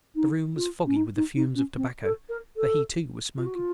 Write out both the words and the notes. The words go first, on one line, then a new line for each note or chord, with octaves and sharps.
The room was foggy with the fumes of tobacco, for he, too, was smoking.
D#4
F4
C#4
D#4
D#4
D#4
C#4
C4
A4
A#4
A4
F4
F#4
F4